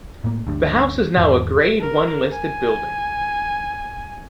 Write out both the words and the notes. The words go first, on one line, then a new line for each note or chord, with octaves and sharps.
The house is now a grade one listed building.
A2 A#3
D2 G2
E2 G#2 D#3
A#4
G#5